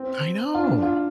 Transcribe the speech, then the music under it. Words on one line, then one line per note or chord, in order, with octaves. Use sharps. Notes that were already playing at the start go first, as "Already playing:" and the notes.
I know.
Already playing: C4
F4
D4
F4